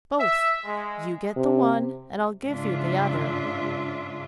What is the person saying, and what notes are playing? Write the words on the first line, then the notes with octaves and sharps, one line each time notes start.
'Both; you get the one, and I'll give you the other.'
E5
G#3
C3
G#2 C#3 D4 F4 E5